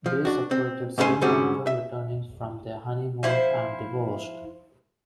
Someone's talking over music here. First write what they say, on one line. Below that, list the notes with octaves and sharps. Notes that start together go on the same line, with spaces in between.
They separated soon after returning from their honeymoon and divorced.
F3
D4 F#4
C4
G#2 A3 C#4 B4 G#5 C6
G#2 D3 G3 C4 C#4 F#4
E5
F3 E4 C5